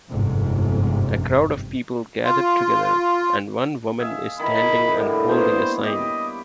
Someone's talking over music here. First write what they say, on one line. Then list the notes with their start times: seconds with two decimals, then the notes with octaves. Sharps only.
A crowd of people gathered together and one woman is standing and holding a sign.
0.11 G1 F2 G#2 C3
2.24 F4
3.99 G#4 E5 F5
4.40 D#3 E4 B5
4.97 A2 D3 G3
5.29 A#3 B3 C5 C#5
5.84 G4 D#5